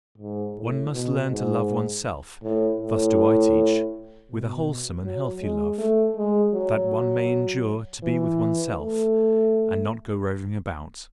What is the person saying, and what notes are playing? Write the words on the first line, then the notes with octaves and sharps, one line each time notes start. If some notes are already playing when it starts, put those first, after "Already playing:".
One must learn to love oneself--thus do I teach--with a wholesome and healthy love: that one may endure to be with oneself, and not go roving about.
G#2
A2
B2
G#2
A2
A2
B2
F#3
G#3
A3
G#3
F#3
E3
A3